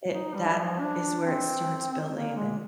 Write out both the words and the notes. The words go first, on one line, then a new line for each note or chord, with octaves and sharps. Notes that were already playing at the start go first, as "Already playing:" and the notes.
it that is where it starts building, and
D#4
G3
F3
D4
C4
A#3
G#3